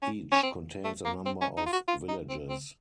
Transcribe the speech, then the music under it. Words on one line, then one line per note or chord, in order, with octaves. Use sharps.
Each contains a number of villages.
C#4
C#4
C4
A3
A#3
C4
C#4
D#4
F4
F#4
F4
D#4
C4
C4